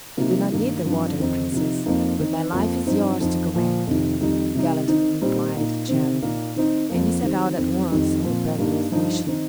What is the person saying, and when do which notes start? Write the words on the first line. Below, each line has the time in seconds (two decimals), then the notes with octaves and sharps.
"You do not need the water, Princess; but my life is yours to command," gallantly replied Charming; and he set out at once on the perilous mission.
0.17 C3 F3 A#3 D#4
0.51 G2 D#3 A#3 D#4
0.85 G2 F3 C4 D#4
1.19 F2 D#3 C4 D#4
1.52 C3 F3 D#4
1.86 F2 F3 A#3 D#4
2.19 D#3 C4 D#4
2.53 F2 F3 A#3
2.87 G2 F3 C4 D#4
3.20 F2 F3 D#4
3.54 A#2 F3 A#3
3.87 F2 C3 D#3
4.21 F2 D#3 G3 D#4
4.55 C3 G3 D#4
4.88 D#3 C4 D#4
5.21 A#2 G3 C4 D#4
5.55 A#2 A#3 D#4
5.88 C3 D#3 C4
6.22 A#2 A#3 D#4
6.56 D#3 C4 D#4
6.89 F2 F3 A#3
7.23 D#3 G3 C4
7.57 F2 D#3 C4
7.90 F2 D#3 G3 D#4
8.24 A#2 F3 C4
8.58 G2 G3 A#3 D#4
8.91 G2 F3 D#4
9.27 D#3 C4 D#4